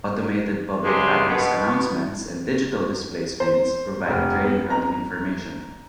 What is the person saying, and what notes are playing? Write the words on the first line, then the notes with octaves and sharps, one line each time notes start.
Automated public address announcements and digital display screens provide train running information.
G2 C#3 F#3 G#3 G4 C6
B2 B3
C5
F1
B3
A#5